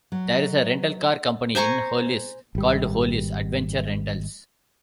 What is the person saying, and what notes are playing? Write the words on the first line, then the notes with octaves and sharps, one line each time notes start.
There is a rental car company in Hollis called Hollis Adventure Rentals.
F#3
C5 G#5 A#5 C#6
G#1 G3